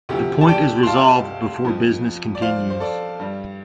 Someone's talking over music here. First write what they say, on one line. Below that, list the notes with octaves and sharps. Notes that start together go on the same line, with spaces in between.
The point is resolved before business continues.
D2 C3 F3 G4
A5
D5 G5
C6
F5 A5
F2 F3
D5
C5 F5
C5
A4 D5
G2 G3